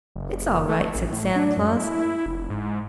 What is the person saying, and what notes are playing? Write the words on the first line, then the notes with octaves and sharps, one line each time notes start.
"It's all right," said Santa Claus.
F#1
A3
A1
A2
D4
F#2
E4
F1
G#2